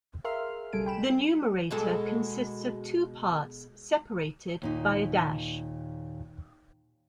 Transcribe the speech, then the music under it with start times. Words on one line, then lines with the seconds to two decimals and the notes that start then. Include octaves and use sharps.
The numerator consists of two parts separated by a dash.
0.24 G#4 A#4 E5 F5 C6 F6
0.73 B1 C#3 G3 A4 G#5 D7
0.86 G5 B5 E7
1.71 B2 G#3 A4
4.62 D#2 A#2 D#4